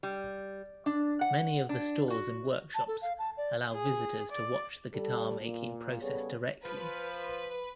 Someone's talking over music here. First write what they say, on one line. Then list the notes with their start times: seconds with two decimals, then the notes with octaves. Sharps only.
Many of the stores and workshops allow visitors to watch the guitar-making process directly.
0.03 G3
0.86 D4
1.21 F#5
1.69 D4
2.10 F#4
2.75 A5
2.88 A4
3.02 F5
3.19 A5
3.37 D5
3.72 G#4
4.32 D5
4.93 G3 A4
5.40 A#2
6.01 C#3 G3 B3 G#4 A4 C#5
6.64 F3 B4